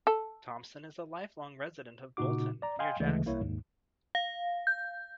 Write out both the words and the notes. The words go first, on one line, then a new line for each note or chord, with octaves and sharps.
Thompson is a lifelong resident of Bolton, near Jackson.
A4
A#2 C#3 D#4 F#4 D6
D5 A#5
D#5 F5 G5 G#5 C6
D2 C#3 E3 G#3 A3
C2 A#3 E4 C#5
D#2 G#2
F5
G6